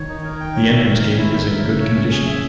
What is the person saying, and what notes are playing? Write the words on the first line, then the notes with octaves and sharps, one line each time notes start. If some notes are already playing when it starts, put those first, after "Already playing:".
The entrance gate is in good condition.
Already playing: D#3 C#5
D#4
A#4
G5
C#5
E5
A#4
C#4
E4
E5
A#4
C#3 E5
C#5
C#4
G#4
E5